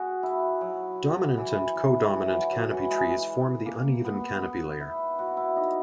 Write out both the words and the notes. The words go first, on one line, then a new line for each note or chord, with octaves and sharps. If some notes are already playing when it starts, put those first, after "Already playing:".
Dominant and co-dominant canopy trees form the uneven canopy layer.
Already playing: F#4 G#4
E4
F#3
E3
E3
E3
F#3
F#3
E3
G#3
A#3
B3
B3
E4
F#4
E4
D#4